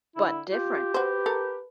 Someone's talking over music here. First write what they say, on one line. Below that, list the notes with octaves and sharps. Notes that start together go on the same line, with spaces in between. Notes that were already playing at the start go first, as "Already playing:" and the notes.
But different.
D3 E4
F4 G4
F#4 B4 C5
A4 A#4